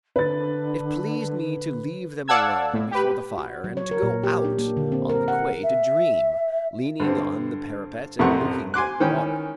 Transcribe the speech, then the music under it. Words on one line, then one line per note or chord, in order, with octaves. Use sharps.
It pleased me to leave them alone before the fire and to go out on the quay to dream, leaning on the parapet and looking at the water.
D3 B4 A6
D5 F5 F#5 A5 E6 G#6
A2
G4 B4
F#4
F#3
C#5
A#4
A#2
G4
D4
A#3
D3
C4
A#4
F#5
E5
G2 D3 C4
A1 F2 C3 A#4 F#5 C#6
G#5 C6 D6 F#6
D#3 E3 C#4 G5